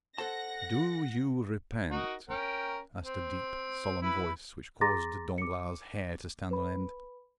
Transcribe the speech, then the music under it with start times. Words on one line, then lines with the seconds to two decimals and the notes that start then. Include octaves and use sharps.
"Do you repent?" asked a deep, solemn voice, which caused Danglars' hair to stand on end.
0.18 A4 C5 F#5 A5 A#6
1.90 D#4 F#4 A#4
2.29 C#4 A#4 G5
3.04 C4
4.02 E4 B4
4.81 G#4 A#5 C6 D6 A6 A#6
5.38 D6 C#7
6.51 B4 B5